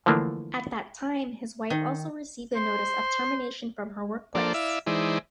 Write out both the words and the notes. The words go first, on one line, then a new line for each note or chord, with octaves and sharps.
At that time, his wife also received a notice of termination from her workplace.
D3 E3 F3 A3 A#3 D4
D#3
C5
F3 A#3 D4 A4 C5 D5
E4 D5 E5 F5
E3 G#3 D#4 E4 C5 D5